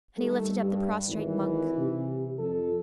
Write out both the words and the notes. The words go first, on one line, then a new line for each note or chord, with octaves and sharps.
And he lifted up the prostrate monk.
D#3 G3 A3 A4
G2
G#1 E3
C3
F2 A4